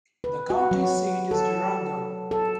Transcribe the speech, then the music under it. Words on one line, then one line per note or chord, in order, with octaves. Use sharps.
The county seat is Durango.
B4
F#4
F#3
A4
A4